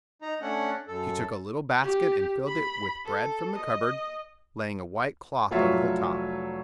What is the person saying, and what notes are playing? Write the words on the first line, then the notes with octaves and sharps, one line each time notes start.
She took a little basket and filled it with bread from the cupboard, laying a white cloth over the top.
D#4 A#5
A3 C#4 D4 F#5
F#2 A4
G4
B5
A4
D#5
F1 F#3 F4 C#5 E5